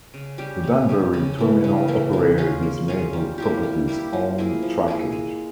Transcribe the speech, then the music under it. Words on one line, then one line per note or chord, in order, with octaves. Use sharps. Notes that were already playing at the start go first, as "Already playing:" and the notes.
The Danbury Terminal operated this Maybrook Properties-owned trackage.
C#3
G3 C#4 G4
C#3
G3 C#4 G4
C#3
E3 A#3 E4
C#3
E3 A#3 E4
A#3
C#4 F4 G#4
A#3
C#4 F4 G#4
G3
A#3 E4 G4
G3
A#3 E4 G4
F3
A#3 E4 G#4
F3
A#3 E4 G#4
G#3